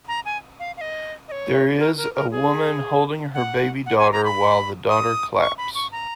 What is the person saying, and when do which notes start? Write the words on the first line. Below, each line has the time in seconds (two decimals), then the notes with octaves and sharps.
There is a woman holding her baby daughter while the daughter claps.
0.08 A#5
0.25 G#5
0.60 F5
0.77 F5
0.81 D#5
1.28 D#5
1.32 C#5
1.79 A#4
1.97 A#4
2.15 A#4
2.31 G#4
3.34 F#5
3.86 F#5
3.98 G#5
4.12 A#5
4.24 B5
4.89 D#6
5.41 C#6
5.58 B5
5.75 C#6
5.92 A#5